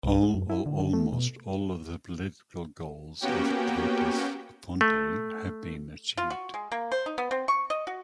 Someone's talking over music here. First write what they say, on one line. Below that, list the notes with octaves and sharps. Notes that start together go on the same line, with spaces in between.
All or almost all the political goals of Tautas fronte have been achieved.
C2
G#3
F#2
E4
D3
D3
A3
B2
A#3 B3 C#4 F#4 G4 G5
A3
F4
F#4
G#3
A#3
C5
D#4
B3
C4
C#6
D#5
F#4